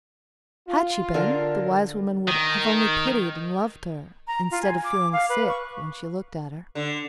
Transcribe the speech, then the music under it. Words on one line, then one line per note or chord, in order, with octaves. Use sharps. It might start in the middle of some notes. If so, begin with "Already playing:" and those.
Had she been, the wise woman would have only pitied and loved her, instead of feeling sick when she looked at her.
F4
D3 A#4
D#3
A#5
F4
G#5
D6
F5
B4
C#6
D3